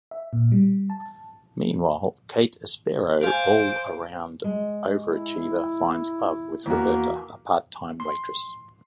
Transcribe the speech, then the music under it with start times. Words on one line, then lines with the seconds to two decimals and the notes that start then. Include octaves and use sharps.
Meanwhile, Kate Aspero, all-around overachiever, finds love with Roberta, a part-time waitress.
0.11 E5
0.33 A#2
0.52 G3
0.90 A5
3.23 C5 F5 G#5 D6
4.44 G#3
5.04 E4
6.66 E2 A#3 F#4
8.00 C6